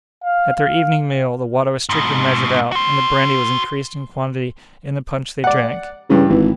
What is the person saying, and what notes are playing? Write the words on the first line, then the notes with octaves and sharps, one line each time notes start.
At their evening meal, the water was strictly measured out, and the brandy was increased in quantity in the punch they drank.
F5
F5
G#2 B2
F#4 C5
D5 F#5
G2 C#3 E3
G#1 E3